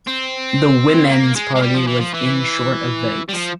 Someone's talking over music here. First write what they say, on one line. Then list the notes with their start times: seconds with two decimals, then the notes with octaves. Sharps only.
The Women's Party was in short of votes.
0.07 C4
1.10 A#3
1.36 G#3
1.55 G#3
1.62 G3
1.74 F3
1.87 E3
2.00 F3
2.14 E3
3.29 G3
3.33 F3